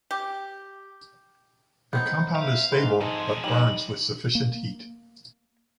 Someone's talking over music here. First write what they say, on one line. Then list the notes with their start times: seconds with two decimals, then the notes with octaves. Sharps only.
The compound is stable but burns with sufficient heat.
0.11 G4
1.93 B3 C4 D#4 G6
2.35 E5 F5
2.72 G#2 B4 C6
3.01 F2 G#4 A4 C6
3.44 G3 D#4 D#5 F#7
4.35 A#3